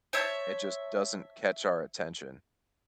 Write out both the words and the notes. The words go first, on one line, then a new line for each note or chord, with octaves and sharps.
it just doesn't catch our attention,
C5 C#5 E5 A5